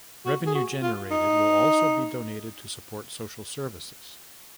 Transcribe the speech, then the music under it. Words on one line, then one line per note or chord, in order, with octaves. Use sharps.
Revenue generated will also be donated to support social services.
F#4
G#4
F#4
F4
D#4